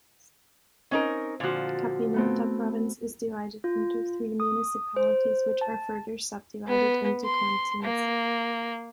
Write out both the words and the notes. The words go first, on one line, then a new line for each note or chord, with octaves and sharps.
Capinota Province is divided into three municipalities which are further subdivided into cantons.
C4 C#4 D#4 A#4
A#2 D3 F3 F#4
A3 B3 C4
F4
D#6
C5
A5
B3
C6
A#3